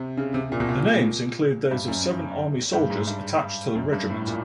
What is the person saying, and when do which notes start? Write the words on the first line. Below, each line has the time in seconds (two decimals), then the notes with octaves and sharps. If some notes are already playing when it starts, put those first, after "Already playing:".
The names include those of seven Army soldiers attached to the regiment.
Already playing: C3
0.17 C#3
0.34 C3
0.52 A#2
0.60 B2
0.69 A#2
1.71 G2
1.88 F#2
2.73 G2
2.90 G#2
3.07 G2
3.75 F#2
3.93 G2
4.10 A2
4.27 A#2